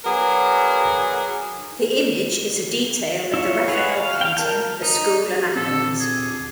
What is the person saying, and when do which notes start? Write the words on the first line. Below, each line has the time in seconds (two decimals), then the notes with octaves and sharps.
The image is a detail of the Raphael painting "The School of Athens".
0.05 F#3 B3 D4 F#4 G#4 A#4
3.34 E4 F4 C#5
3.68 G#4 B4 C#5 F#5
3.97 F5
4.21 F5 G5
4.37 A#4 A5 G6
4.82 D#4
5.56 A#2 C4 D4 G4 A4
6.00 G#4